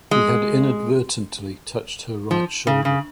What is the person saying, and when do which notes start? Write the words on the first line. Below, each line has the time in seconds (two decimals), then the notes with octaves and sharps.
He had inadvertently touched her right shoulder.
0.11 G#3
2.31 F3
2.67 C#3
2.85 C#3